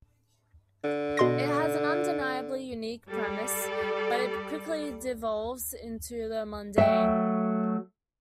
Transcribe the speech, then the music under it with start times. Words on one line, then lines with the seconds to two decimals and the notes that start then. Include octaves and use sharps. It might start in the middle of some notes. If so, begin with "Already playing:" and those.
It has an undeniably unique premise, but it quickly devolves into the mundane.
0.84 D3
1.17 B2 C6 A#6
3.09 G3 A4 D5
6.78 F#3 A3 F#4 E5 G5